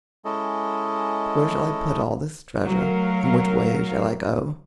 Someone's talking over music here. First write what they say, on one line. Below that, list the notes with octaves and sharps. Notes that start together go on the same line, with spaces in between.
Where shall I put all this treasure, and which way shall I go?
G#3 C#4 E4 A4 D#5
F#3 A3 A#4 F5